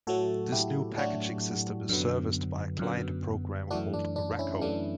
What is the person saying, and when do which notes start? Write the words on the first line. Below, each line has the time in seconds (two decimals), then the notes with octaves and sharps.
This new packaging system is serviced by a client program called raco.
0.07 A2 F#3 A3 F#4 A4
0.52 E4 G4
0.97 A2 F#3 A3 D4 F#4
1.89 F#2 D3 F#3 B3
2.79 F#2 D3 F#3 B3
3.70 F#2 E3 A3 D4 F#4
3.93 D4
4.16 D4
4.39 C#4 E4
4.61 F#2 E3 A3 D4